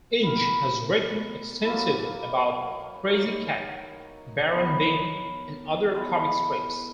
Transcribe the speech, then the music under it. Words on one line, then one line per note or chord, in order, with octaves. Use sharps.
Inge has written extensively about "Krazy Kat", "Baron Bean" and other comic strips.
B3 E4 A#4
F#3 A#3 E4
D#4 A#4 C#5 E5
B3 D#4 A#4 C#5
G#3 B3 E4